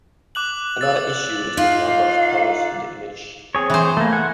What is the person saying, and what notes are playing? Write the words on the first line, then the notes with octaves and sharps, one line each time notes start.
Another issue is the number of colors in the image.
D6 F#6 F#7
E6 A6
D#4 F4 F5
C4 G#4 C#5
E3 C5
A3 A#3
F#5 G#5